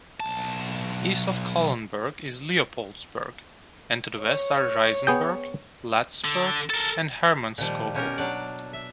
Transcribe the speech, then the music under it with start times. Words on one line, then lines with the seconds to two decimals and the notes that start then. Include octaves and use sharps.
East of Kahlenberg is Leopoldsberg; and to the west are Reisenberg, Latisberg, and Hermannskogel.
0.20 B1 A5
4.20 C#5
5.07 B3 G#4 G5
6.25 D3
6.70 A4 A#4
7.58 A#2 D#3 F3 G3
7.94 B2 C#4 G4 A#4
8.18 F#3 D4 D5
8.73 E5